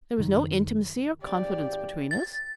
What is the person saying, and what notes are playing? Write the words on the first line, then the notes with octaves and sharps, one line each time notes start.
There was no intimacy or confidence between us.
F#1 D#3
G#1 F3 G4 D5
A6